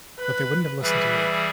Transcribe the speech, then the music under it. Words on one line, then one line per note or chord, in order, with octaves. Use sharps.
But they wouldn’t have listened to me.
B4 F#6
E3 G3 G#4 B4 E5